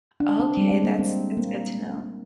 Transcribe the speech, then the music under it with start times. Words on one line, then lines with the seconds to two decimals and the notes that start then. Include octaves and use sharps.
Okay, that's that's good to know.
0.20 D4
0.40 C4
0.57 G3
0.71 G#3
0.84 A#3
0.99 C4
1.37 A#3